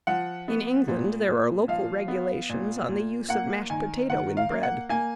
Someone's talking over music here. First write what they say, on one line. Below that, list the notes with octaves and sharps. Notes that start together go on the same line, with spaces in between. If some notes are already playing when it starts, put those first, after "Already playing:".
In England there are local regulations on the use of mashed potato in bread.
F3 F#5
B3
A#2
A#2
F3 F5
B3
A#2
A#2
A#3 F#5
D#3 G#5
D#3 F#5
F5
A#3
F#5
A#3 G#5